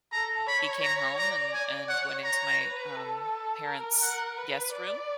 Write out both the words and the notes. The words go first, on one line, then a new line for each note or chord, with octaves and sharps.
he came home and and went into my, um, parents' guest room,
A4 A#5
C#5 B5
A#5
D5 A#5
G#5
C#5 F#5
A#5
B4
A4
A#4
F#5
B4
D5